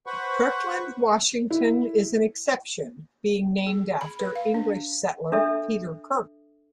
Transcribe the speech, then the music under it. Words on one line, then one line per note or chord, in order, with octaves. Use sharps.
Kirkland, Washington is an exception, being named after English settler Peter Kirk.
B4 C5 F#5 B5 C#6
E4
G#4
B5
B4
F5
D4
D4 A4 E5